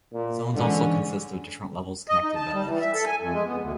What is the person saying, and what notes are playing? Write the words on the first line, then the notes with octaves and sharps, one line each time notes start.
The zones also consist of different levels connected by lifts.
A#2
G#2 D3 E3 C#4
D#5
D#4
A5
G3
E3
E5
A4
G#5
F2
G#3
B3
D2